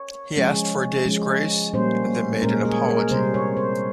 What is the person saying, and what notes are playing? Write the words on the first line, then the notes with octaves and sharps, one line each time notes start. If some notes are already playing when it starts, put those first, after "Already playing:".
He asked for a day's grace, and then made an apology.
Already playing: C#5
F3 G#3 C#4
F3 G#3 C#4
A#2 G3 A#3 C#4 C5
A#2 G#3 C#4 A#4
G#4
A#4
C3 G3 C4 C5
C#5
C5